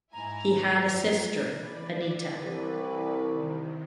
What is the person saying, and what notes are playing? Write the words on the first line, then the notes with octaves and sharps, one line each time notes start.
He had a sister, Anita.
G#2 E4 G#5 A#5
F#2 F3
E3 B4 D5
C2
C3 D#3